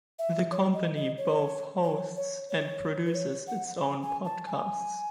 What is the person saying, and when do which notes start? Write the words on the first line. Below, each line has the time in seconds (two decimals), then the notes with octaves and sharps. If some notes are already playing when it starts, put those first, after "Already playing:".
The company both hosts and produces its own podcasts.
0.19 E5
0.52 C#5
0.74 D#5
0.96 D#5
1.17 C#5
1.83 C#5
2.16 C#5
2.49 C#5
3.06 B4
3.15 C#5
3.48 F#5
3.80 G#5
4.02 G#5
4.25 A5
4.47 G#5